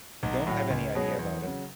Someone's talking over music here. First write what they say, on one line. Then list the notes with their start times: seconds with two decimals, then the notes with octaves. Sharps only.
Don't have any idea about it.
0.23 B1
0.47 A2 F#3
0.70 C#2
0.95 B2 F#3 C#4 G#4
1.19 E2
1.43 C#3 F#3